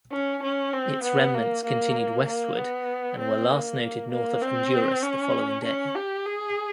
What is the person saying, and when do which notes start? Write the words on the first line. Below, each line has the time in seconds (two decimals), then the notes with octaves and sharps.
Its remnants continued westward and were last noted north of Honduras the following day.
0.12 C#4
0.43 C#4
0.73 C4
1.04 B3
1.34 A#3
1.65 A#3
2.26 A#3
2.58 B3
3.19 C4
3.49 A#3
4.11 A#3
4.42 C4
5.03 C#4
5.65 C#4
5.95 G4
6.26 G#4